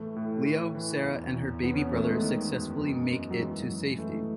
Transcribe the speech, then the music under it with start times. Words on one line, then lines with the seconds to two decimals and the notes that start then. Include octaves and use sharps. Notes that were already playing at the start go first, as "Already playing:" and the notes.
Leo, Sarah and her baby brother successfully make it to safety.
Already playing: A2 E3 A3
0.16 A2
0.46 A2
0.75 E3
1.05 E2
1.34 E2
1.63 E2 B3
1.73 C#4
1.78 B3
1.93 E2 A3
2.08 G#3
2.22 D#3
2.52 F#2
2.80 F#2
3.11 F#2
3.31 F#3
3.40 E3 G#3
3.69 F#2
3.98 E3 A3